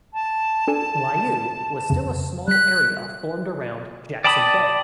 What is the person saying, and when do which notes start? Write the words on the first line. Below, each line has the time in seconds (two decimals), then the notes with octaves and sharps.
Layou was still a small area formed around Jackson Bay.
0.14 A5
0.68 D4 A4 G#5
1.90 F2 C#3
2.48 G3 F#6 B6
4.24 D5 G5 A5 B5 D#6